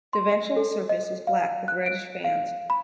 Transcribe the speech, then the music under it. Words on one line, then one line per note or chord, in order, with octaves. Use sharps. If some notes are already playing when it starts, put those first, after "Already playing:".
The ventral surface was black with reddish bands.
C6
D#5
A4
D#5
F5
F#6
D7
F5
B5